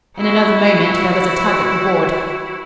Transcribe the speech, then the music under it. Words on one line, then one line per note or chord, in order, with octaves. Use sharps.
In another moment there was a tug at the board.
E4 F#4